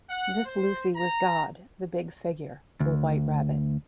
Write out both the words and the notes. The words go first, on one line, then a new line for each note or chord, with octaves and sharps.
This Lucy was God, the Big Figure, the White Rabbit.
F#5
C5
A#5
D2